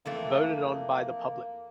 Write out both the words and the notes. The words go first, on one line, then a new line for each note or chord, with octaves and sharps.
Voted on by the public.
F2 E3 A3 A#3